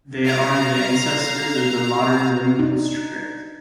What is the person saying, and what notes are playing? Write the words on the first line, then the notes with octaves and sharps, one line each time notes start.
They are the ancestors of the modern Limbu script.
F5 A#5
D4 D#4